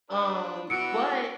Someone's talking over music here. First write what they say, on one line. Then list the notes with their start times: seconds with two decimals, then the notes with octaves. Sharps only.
um, but
0.10 D4 B4
0.70 E3 B3 F#4 E6 C#7 D7